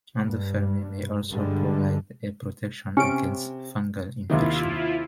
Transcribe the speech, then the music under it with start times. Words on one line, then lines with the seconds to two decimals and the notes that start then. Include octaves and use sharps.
Endothermy may also provide a protection against fungal infection.
0.24 G2
1.30 G2 D3 G3 G#3
2.97 C3 C#4 D7
4.30 D#2 C3 D#3 E4 F4